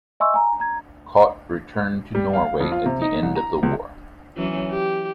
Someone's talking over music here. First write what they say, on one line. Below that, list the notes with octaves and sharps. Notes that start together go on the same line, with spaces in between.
Koht returned to Norway at the end of war.
D#5 E5 G#5 C6 C#6 E6
G#5 A#5
A#5 G#6
G3
F5
F2
F4
C3
D#4
C2
A#5
C#2
E3 F#3 C#4
G4